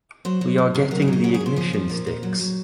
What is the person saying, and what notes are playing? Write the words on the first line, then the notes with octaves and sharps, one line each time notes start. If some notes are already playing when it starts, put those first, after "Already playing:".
We are getting the ignition sticks.
F#3 C5
F#3
C3
C3
F#3 A#4
G#4
F#3 D#4
C#3 F#4
G#4
C#3
C5
F3 C5
F3
A#2
A#2
F#3
F#3